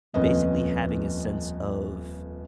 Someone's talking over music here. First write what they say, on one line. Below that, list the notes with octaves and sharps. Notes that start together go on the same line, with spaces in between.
basically, having a sense of
D#1 F2 B3 C#4 D#5